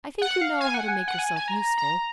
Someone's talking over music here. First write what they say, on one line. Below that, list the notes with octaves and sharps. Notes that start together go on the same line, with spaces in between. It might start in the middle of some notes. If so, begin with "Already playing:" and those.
I think you know how to make yourself useful.
F#5
F5
G#5
F#5
G#5
F#5
G#5
G#5
A#5
A#5